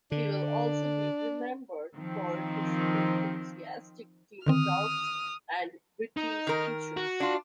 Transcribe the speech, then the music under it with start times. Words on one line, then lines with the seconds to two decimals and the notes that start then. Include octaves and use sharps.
He will also be remembered for his enthusiastic team talks and witty speeches.
0.12 D3 D4
1.95 D#3 F3 C4
4.46 D3 D#3 C4 D#6 F6
6.17 D#4
6.47 D#3 A#4
6.97 F#4
7.20 D4 F4